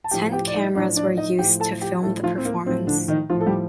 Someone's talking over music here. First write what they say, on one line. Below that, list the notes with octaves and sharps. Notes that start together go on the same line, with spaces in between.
Ten cameras were used to film the performance.
A5
A2 F3 G4 G5
G4 G5
D5
D#4 D#5
A2 F3 D4 D5
D4 D5
D#4 D#5
A2 F3 G4 G5
A4 A5
G4 G5
A2 F3 A3 A4
F3 F4
C4
A#3
A2 F3 C4
D3 D4
D#3 D#4
A2 F3 F4
A4
G3 G4